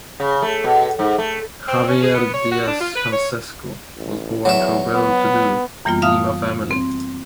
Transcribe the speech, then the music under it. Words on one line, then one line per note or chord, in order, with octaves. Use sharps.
Javier Diez Canseco was born to a well-to-do Lima family.
C#3
A3
B2
G#2
A3
C4
C#4
G#4
B3
C#5
F#4
D4
F4
B4
C#5
A1
E2 F#3 E5
B3
F#2 E3 G3 A#3 B3 F4
E5 F5 A5 D#6 F6
C4